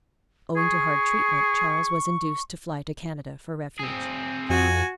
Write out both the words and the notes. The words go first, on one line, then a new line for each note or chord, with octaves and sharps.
Owing to hard treatment, Charles was induced to fly to Canada for refuge.
G#4 C#6
C4 G#4
F2 F#4 G#5